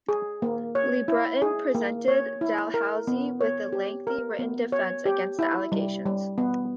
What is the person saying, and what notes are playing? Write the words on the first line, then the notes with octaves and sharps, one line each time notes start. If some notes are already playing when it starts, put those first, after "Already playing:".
LeBreton presented Dalhousie with a lengthy written defence against the allegations.
G#4
A#3
C#5
E4
G#4
A#3
C#5
E4
A#4
B3
C#5
G4
A#4
B3
C#5
G4
E4
G3
G3
B3